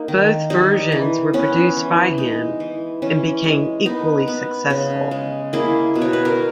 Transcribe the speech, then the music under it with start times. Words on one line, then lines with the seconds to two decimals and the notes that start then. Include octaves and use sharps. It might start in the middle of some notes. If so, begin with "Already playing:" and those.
Both versions were produced by him and became equally successful.
Already playing: A#3 D#4
0.08 D#3
0.50 G3 D#4
0.92 E3
1.33 B3 C#4
1.77 E3
2.18 G#3 D#4
2.60 E3
3.02 E3 C#4
3.44 G#3
3.86 B3 D#4
4.28 B3
4.70 C#3
5.11 G#3
5.53 A#3 E4 G#4
5.95 B2
6.01 C#5
6.13 B4
6.25 A#4